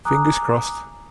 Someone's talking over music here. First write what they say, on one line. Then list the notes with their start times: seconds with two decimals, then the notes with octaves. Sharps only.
Fingers crossed!
0.05 G#5 A#5 D6 D#6 F#6